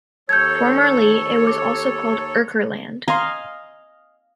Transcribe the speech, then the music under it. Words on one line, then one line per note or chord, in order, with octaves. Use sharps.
Formerly, it was also called "Urker Land".
D#2 A4 C#5 G6 G#6
D6
D#5 F5 G#5 A#5 C6